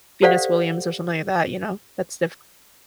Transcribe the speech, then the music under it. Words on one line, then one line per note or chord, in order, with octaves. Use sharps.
Venus Williams or something like that. You know? That's diffi
G4 A4 C5 D5 F5 F#5